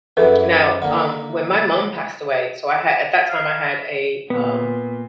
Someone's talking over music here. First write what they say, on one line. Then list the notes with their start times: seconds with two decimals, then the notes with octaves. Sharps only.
Now, um, when my mom passed away, so I had at that time, I had a, um
0.17 F#2 E3 G#4 A4 B4
0.82 D3 A#3
3.27 F5
4.30 A#2 B3